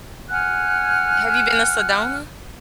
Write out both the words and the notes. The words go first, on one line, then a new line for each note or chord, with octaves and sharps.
Have you been to Sedona?
F#5 G#5 F6 F#6